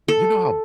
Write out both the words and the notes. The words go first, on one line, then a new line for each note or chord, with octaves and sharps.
You know how
A4